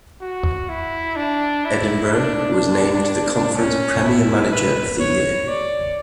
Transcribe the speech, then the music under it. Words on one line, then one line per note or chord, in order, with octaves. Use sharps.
Edinburgh was named the Conference Premier Manager of the Year.
F#4
E4
D4
E4
D4
C#4
E4
B4
C#5
D5